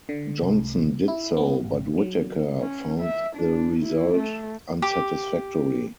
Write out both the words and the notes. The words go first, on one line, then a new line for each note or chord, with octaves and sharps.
Johnson did so, but Whitaker found the result unsatisfactory.
D3
C2
E4
B3
G#1
F#3
C#4
E5
D4
E4
A3
G4 D6